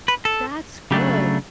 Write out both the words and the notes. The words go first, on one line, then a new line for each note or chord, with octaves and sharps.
That's good.
B4
A4
C#3 F#3 A3 D4 G4